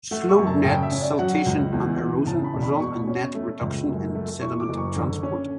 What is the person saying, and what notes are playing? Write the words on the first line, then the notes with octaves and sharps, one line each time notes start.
Slowed net siltation and erosion result in net reduction in sediment transport.
A3 F#5
C#6
F#2
A5
C#3 G5
E5
C#4
D5
F#3 F#5
C#2
E2
E3
C#3 A5
B5
E1
B5
B2 C#6
C#4
A3
C#2
F#2
A3
E3 C#6
D6
F#1
C#6
D3
C#4